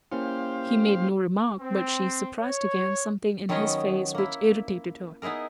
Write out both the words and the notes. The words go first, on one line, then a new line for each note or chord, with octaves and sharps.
He made no remark, but she surprised again something in his face which irritated her.
A#3 C#4 E4 G4 C5 F5
C4
C#5
D#3 F#3 B3 C#4 C#5 D#5
A#3 E4
B3 D#4 E4 G#4 A#4